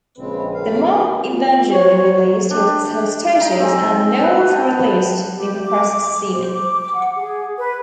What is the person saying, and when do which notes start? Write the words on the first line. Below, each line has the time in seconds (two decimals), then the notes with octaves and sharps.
The mob eventually released its hostages and Knowles released the impressed seamen.
0.18 A#1 C#3 G#3 C4 B4
0.54 D#3 F5
1.29 F4
1.72 C5 C#5
2.51 D4 G4
3.41 D#4 A#5
3.60 C4 G#4
4.23 B4
4.50 D#5 G5 A5
5.35 G4
5.65 D6
6.34 C5
6.52 D6
6.80 D6
6.94 F#5
7.17 G#4
7.58 B4